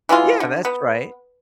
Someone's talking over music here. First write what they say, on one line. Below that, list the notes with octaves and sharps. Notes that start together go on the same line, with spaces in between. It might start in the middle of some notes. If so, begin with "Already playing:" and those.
Yeah, that's right.
E3 F#3 G#3 F4
D3
B3